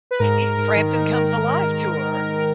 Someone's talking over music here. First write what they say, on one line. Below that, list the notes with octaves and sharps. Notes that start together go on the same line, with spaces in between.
E Frampton Comes Alive tour.
B4
G#2 A#4
G#2
G#2
D#3
D#3
D#3